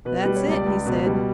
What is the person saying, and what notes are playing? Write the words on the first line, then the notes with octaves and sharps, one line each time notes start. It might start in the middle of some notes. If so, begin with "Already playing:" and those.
"That's it," he said.
B2 B4
G3 B4
C#5
C#2 D5
C#2
B2
G3